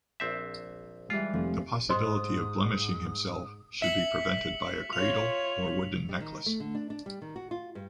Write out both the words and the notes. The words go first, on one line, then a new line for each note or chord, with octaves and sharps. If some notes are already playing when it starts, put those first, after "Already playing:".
The possibility of blemishing himself should be prevented by a cradle or wooden necklace.
A#1 C4 E5
E3 G3 G#3 F4
F1 F3
G#2 C5 D#5 C6 D#6
E5 B6 C#7 F#7
F4 C#5 F7
G3
D#3
A3
D3
D4
D4
G3
D#3
F#4
F4
G2